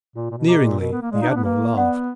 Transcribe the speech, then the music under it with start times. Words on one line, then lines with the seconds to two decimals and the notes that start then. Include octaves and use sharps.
Sneeringly the Admiral laughed.
0.15 A#2 F4
0.31 A#2
0.37 B2
0.48 G#4 D#5 A#5 D6
0.59 A#2
0.80 B2 A#4
0.92 B3
1.02 A#3
1.12 G#3 D5 F5
1.22 D#4
1.30 D4
1.36 B3
1.44 A#3 B4
1.76 B3 D5 F#5